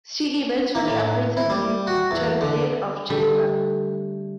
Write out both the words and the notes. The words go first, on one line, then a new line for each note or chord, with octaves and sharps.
She eventually appointed him Chamberlain of Chester.
A#3
A2
E4
G3
F#4
E2
D3
D3 G3 A3